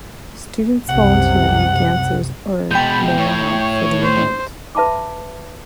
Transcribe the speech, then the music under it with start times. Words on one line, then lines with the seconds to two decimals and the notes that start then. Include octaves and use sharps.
Students volunteer to be dancers or morale for the event.
0.89 C2 F#2 C3 F#5
2.71 B2 G#3 G5 A5 B5 G6
3.17 A2 C#5
4.02 C5
4.75 B4 E5 A5 B5 D6